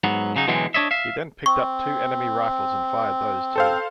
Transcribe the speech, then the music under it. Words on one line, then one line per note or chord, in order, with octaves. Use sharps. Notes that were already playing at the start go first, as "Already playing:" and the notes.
He then picked up two enemy rifles and fired those too.
G#2 F#3 B3
C#3 F#3 D#4
B2 D3 E3 F#3 G#3 C4
D4 C#5 D#5 E5
E5 F5
C4 C#6
A4 C5 F5